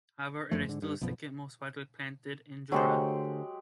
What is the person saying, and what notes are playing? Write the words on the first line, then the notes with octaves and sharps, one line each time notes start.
However, it is still the second most widely planted in Jura.
G1 F#2 F3 A3
G#2 D3
G2
B1 F#2 B2 F3
D3 F#3 G#3 A3 G4 C5